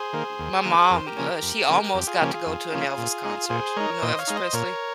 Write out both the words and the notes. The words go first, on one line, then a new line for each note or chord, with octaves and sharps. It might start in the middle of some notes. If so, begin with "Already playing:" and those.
my mom, uh, she almost got to go to an Elvis concert, you know, Elvis Presley?
Already playing: G#4 C5
D#3 A#3
D#2
D#3 A#3
F2 A#4
C5
G4 A#4
C#3 F3 A#3 C#4
F2
C#3 F3 A#3 C#4
F2 G4
F4 G#4
C#3 F3 A#3 C#4 G4
F4 G#4
F2
C#3 F3 A#3 C#4
A#2
G#3 D#4
A#2 G#4 C5
G#3 D#4 A#4 C#5
A#2 C5 D#5
D#5
C#5 F5
G#3 D#4
C5 D#5
A#2 A#4 C#5